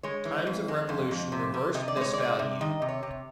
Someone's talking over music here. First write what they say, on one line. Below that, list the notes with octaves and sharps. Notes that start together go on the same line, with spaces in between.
Times of revolution reversed this value.
G#3 C#5
E3
F2
G#3
F2
F2
C3
C3
C3 D#5
D5
G#3 C#5
C3 D5
C3
D#3 D#5
C3
C#5
C3